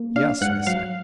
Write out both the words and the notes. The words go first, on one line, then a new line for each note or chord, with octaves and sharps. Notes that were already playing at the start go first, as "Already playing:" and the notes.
"Yes," I said.
Already playing: A#3
D4 F5
G#2 F#5
F#3 F5